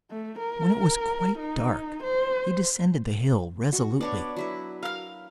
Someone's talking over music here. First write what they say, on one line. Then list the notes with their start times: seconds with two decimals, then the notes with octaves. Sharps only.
When it was quite dark he descended the hill resolutely.
0.11 A3
0.39 A#4
1.39 D#4
2.04 C5
3.73 F#4
4.01 B3 D4 C#5 D5
4.36 F#3 E4 B4
4.83 A#4 F5 F6